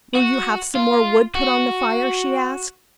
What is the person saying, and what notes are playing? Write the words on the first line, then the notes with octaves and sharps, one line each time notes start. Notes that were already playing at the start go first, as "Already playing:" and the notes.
"Will you have some more wood put on the fire?" she asked.
F#4
F4
F#4